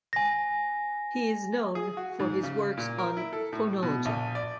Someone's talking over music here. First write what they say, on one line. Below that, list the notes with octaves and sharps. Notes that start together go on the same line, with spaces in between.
He is known for his works on phonology.
G#5 A#6
G#4
F#4
G#2
C#3
A#2
A#4
E4
A4
A2
B2
A#1
D5